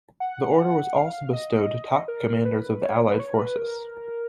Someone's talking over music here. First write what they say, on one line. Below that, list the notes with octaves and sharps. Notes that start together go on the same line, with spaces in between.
The order was also bestowed to top commanders of the Allied forces.
F#5
F#5
F5
D#5
A#4
B4
C#5
B4
C#5
A#4
B4
A#4